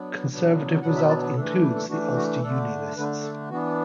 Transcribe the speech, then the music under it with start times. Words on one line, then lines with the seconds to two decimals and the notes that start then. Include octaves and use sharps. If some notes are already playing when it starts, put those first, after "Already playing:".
Conservative result includes the Ulster Unionists.
Already playing: F#3 B3 D4
0.29 B2 F#3 B3 D4
0.82 B2 F#3 B3 D4 F#5
0.96 E5
1.09 D5
1.22 B4
1.35 E3 A3 D4 A4
1.49 A4
1.62 B4
1.76 A4
1.89 E3 A3 D4 F#4
2.16 F#4
2.42 D3 A3 D4 A4
2.96 D3 A3 D4 B4
3.23 A4
3.49 E3 B3 D4 F#4